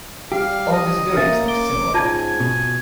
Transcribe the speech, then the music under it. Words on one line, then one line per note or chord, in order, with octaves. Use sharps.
All these bearings look similar.
G3 G4 F5
D#5
A#3 C#4 E5 A6
D6 G7
G#2 F4 G#5 A5 G#6
B2